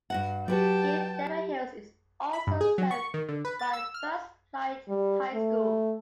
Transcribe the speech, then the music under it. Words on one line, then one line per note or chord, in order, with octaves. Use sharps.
Kill Devil Hills is also served by First Flight High School.
G2 F#4 F#5
F#3 F#4 G4 B4 D5 G5 A5
B5
G2
G#4
F#3
C#6
D#3
D3
B4
A6
E6
F6
G3
A3